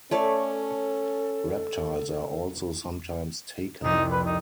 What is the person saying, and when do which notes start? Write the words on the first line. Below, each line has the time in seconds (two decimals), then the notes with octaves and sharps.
Reptiles are also sometimes taken.
0.11 A3 C#4 A4 C#5 D5
3.84 C2 F2 C3 D#4
4.12 A#3 B4
4.26 D#4